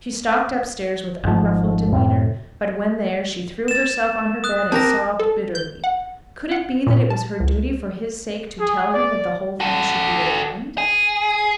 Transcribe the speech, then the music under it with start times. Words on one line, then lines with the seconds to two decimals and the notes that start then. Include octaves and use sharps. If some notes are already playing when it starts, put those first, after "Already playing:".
She stalked upstairs with unruffled demeanour; but when there, she threw herself on her bed and sobbed bitterly. Could it be that it was her duty, for his sake, to tell him that the whole thing should be at an end?
1.23 G#1 G#2 F3
1.93 F#2 A2 C3 C4
3.68 A6 E7
4.44 D#6 F#6
4.72 C4 G4 A#4 A5 A#6
5.19 A4
5.55 G6
5.84 F#5
6.51 F#5
6.87 A#2
7.10 A5
7.40 C#2
8.59 G#4
8.93 D5
9.60 F#4 A4
10.78 G#4